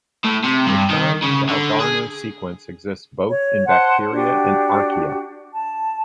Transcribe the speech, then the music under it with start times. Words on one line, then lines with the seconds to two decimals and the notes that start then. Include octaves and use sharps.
The Shine-Dalgarno sequence exists both in bacteria and archaea.
0.24 A2
0.44 C3
0.66 G2
0.90 D#3
1.23 C#3
1.49 D3
1.80 G#4
3.29 C#5
3.67 C5 F#5 A5 C6
4.12 D4 F#4 G4
5.54 A5